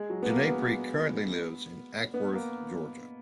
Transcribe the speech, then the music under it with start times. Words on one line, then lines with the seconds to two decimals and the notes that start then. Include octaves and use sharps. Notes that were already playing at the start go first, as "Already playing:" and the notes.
Ginepri currently lives in Acworth, Georgia.
Already playing: G#3
0.10 F#3
0.22 B3
0.28 A#3
0.46 B3
2.14 B3
2.33 A#3